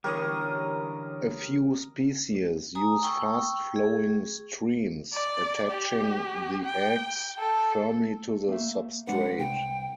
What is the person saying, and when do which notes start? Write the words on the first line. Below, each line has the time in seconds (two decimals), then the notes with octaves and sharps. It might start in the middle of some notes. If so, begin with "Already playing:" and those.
A few species use fast-flowing streams, attaching the eggs firmly to the substrate.
0.04 D3 E3 G3 G4 A#4 C#5 D#6
2.75 G#5 A#5 D#6
3.03 G5 C#6 E6
3.76 G#4
5.13 D5
5.71 G4
6.65 G5
7.39 A4
8.49 A#3 E5
9.07 G#3 D4 B4 F#5
9.39 C2 G5